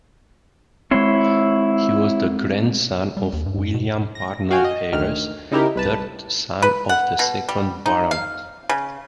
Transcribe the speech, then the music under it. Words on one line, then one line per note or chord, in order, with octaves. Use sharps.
He was grandson of William Parnell-Hayres, third son of the second Baronet.
G#3 C4 E4 C#5 C6
G3
D#2
G2
F#2
B2
A#6
F#4 F5 G5 G#5
D#5
D2 D#3 F6
C#3 D#4 E4 G4 A#4
C2 B4 A5
B4
F#5
B2
G3
D#4
F5
C#3